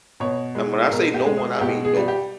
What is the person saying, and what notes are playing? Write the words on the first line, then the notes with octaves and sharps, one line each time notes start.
And when I say no one, I mean no one.
B2 C#5
G#3
B2 A#4
G4
G#3
G#4
B2 G4
G#4
G3
G4